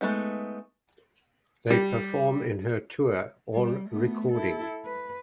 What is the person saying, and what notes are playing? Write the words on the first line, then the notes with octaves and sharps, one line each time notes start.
They perform in her tour or recording.
G#3 A3 B3 D#4
G3
G3
A3 B3
E4 A4
B4